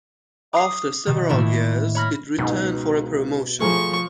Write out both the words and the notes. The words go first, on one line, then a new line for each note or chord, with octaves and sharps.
After several years, it returned for a promotion.
D6 D#6 C7
B2 D#3
A2 D#3 A3 A#3 E4
C#5 B5 F6 A#6
C#2 G#2 B2
F3 A3 G#4 A#5 C#6